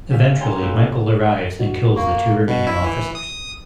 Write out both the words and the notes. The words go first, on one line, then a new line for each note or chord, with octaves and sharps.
Eventually, Michael arrives and kills the two remaining officers.
C#4 G4 E5 F5
C#5 G5 G#5 A#5 C6
A#3 D#4 F#4 G4 A4 B4
A2 C#4
F#4
A#3 C#6
B2
E4
E3
D#6